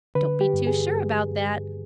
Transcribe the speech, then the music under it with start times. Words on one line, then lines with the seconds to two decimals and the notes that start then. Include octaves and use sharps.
"Don't be too sure about that."
0.15 D3 B4
0.41 G4
0.53 G2
0.67 G#4
0.93 G2
1.31 G2